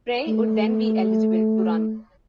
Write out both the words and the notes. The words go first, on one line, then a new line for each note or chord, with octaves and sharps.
Frei would then be eligible to run.
A3